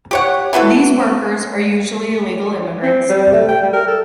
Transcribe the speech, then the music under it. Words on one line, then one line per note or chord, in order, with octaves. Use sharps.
These workers are usually illegal immigrants.
G4 C#5 F#5
E3 B3 F#4 A4
C4
G3
A3
G5
G3
A#4
A4